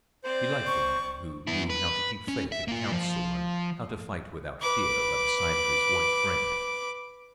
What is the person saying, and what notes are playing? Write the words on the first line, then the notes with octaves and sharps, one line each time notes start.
He liked the man who knew how to keep faith in council and how to fight without fear by the side of his white friend.
C4 C5 D5
C#6
B3 E4
B4
C#4
E5
A#3 F4
F3
B4 D6